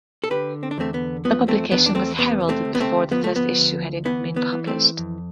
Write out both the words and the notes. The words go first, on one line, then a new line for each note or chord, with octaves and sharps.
The publication was heralded before the first issue had even been published.
A4
D3 G4 B4
C4
D4
E2 A3 C4
B3
F3 B3
A3 C4
E2 B3 D4
D4
A3 C4
C3 B3
A3 C4
D2
B3
A3 C4
F3 B3
A3
B3
D2
E3 B3
B3
E3
A3 C4
F2